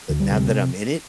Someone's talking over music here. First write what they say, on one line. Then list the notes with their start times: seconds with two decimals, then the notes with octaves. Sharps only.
But now that I'm in it,
0.09 D2
0.20 G3
0.31 C3